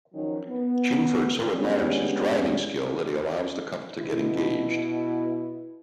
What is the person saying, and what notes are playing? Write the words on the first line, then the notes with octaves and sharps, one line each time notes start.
Chingford so admires his driving skill that he allows the couple to get engaged.
D#3 F3 F#3 C#4 D#4
B3
G3 G#3 B3 C#4 D4
B2 E4